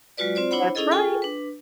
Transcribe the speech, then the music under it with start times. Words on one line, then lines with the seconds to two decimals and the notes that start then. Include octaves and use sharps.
That's right.
0.18 F#3 G#3 F4 F#4 B4 D5
0.35 C4 F4 C5 D5
0.51 D4 E4 C5 C#5 F#5 B5
0.75 C#4 D#4 E4 G#4 A4 D#5
0.91 F4 G#4 A4 G5 G#5 C#6
1.22 D4 B4